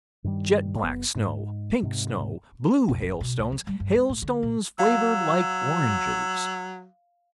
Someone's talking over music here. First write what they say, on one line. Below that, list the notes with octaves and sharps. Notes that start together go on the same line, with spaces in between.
Jet-black snow--pink snow--blue hailstones--hailstones flavored like oranges.
G2 D#3 F#3 G3
F#1 B3
G#2
G#2 C3
B1
F#1
B2
C#2
F3
G3
G2
C#2
A2
D3
A#2
F#3 F5 E6